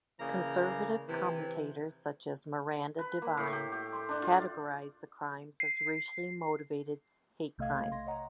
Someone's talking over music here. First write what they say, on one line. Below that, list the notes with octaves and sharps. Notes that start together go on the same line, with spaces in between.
Conservative commentators such as Miranda Devine categorised the crimes as racially motivated hate crimes.
C#3 E3 A#3 D5 A#5
C3 E3
B4
A#3
A2
G4
G4
C6
D4
F4
C7
B1 C3 A3 D#5 F5 G#6
C6 A#6
C#5 D#5 F#5 A#5